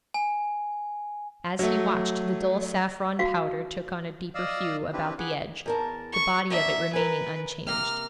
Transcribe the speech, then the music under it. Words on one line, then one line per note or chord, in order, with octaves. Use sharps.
As he watched, the dull saffron powder took on a deeper hue about the edge, the body of it remaining unchanged.
G#5
F#3 A3
F#4 F5
D5 D#5 F5 E6
C4 D4 E4 G4 B4
G#4 B4 F#5 D6
E2 A#4 A5
C#6
A#3 B3 D4 E5
A#4 B4 G#5
C3 A#3 A#5 F6